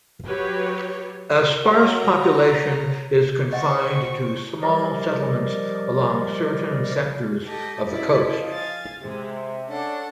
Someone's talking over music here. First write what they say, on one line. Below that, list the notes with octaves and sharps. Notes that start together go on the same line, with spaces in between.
A sparse population is confined to small settlements along certain sectors of the coast.
F#3 G4 B4 C#5
F#4 C#5 A#5
C4 D#5 F#5 C#6
F3 G3 G4 A#4 D5 D#5
G4 A4 D#5
C#3 F3 E4 D5 D#5
F5 G#5 A6
C3 G#3
C#4 D4 A4 F#5